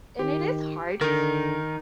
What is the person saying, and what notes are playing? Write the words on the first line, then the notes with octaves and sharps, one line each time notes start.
And it is hard
D#3 G4
D3 D#3 D#4 A#4 A#6